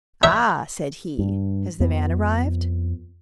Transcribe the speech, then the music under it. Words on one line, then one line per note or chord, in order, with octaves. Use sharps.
"Ah!" said he, "has the van arrived?"
E5
G2
F2 B3